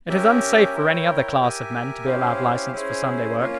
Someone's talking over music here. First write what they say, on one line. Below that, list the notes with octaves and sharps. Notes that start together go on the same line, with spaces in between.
It is unsafe for any other class of men to be allowed license for Sunday work.
C#4 G4 A#4 E5
E4 A#4 C#5 G5
G4 A#4 E5 G#5
C#4 E4 G4 C5 F5
C#4 E4 G#4 C5
A#3 C#4 F4